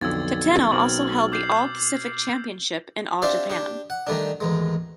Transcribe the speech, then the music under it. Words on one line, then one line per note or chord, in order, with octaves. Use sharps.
Tateno also held the All Pacific Championship in All Japan.
B1 F2 D3 E6 G#6 A6
B2 C4 A#4 F6 F#7
D6 G6 C7
C4 D4 G4 D5 E5 F5
D4 G4
F#5
D#3 G3 A3 D4
A1 D#2 G#3